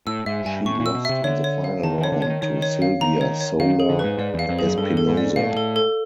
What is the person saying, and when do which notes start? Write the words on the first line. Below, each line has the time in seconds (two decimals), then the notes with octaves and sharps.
She lost in the final round to Silvia Soler Espinosa.
0.07 A2 E6
0.26 G#2 E5
0.46 G2 G#5
0.65 A2 C#6
0.80 A#2
0.86 E6
0.95 B2
1.05 C3 E5
1.24 D3 C#5
1.44 C#5
1.64 F5
1.83 D#3 A5
1.98 D#3
2.03 C#5
2.12 D3
2.22 D#3 C#5
2.42 D#3 C#5
2.62 C#5
2.82 F5
3.01 D#3 A#5
3.21 C#5
3.41 C#5
3.60 D#3 F5
3.80 G#4
3.89 D3
3.99 G#2 B4
4.18 G#2 D5
4.34 E2
4.39 F5
4.49 F2
4.59 F#2 G#4
4.78 G2 A4
4.97 A4
5.07 G#2
5.17 D5
5.36 A2 F5
5.57 A4
5.76 A4